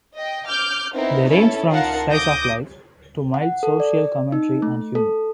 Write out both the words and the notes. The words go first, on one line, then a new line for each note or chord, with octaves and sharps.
They range from slices of life to mild social commentary and humour.
D#5 G5
D6 F6 G6
B3 C4 D#4 E4 A#4
C#4 E4 A4
D#4 F4 A#4 F5 F#5 A5
D6 D#6 G6 A#6
F#5
A4
D5
D#4
A3
A4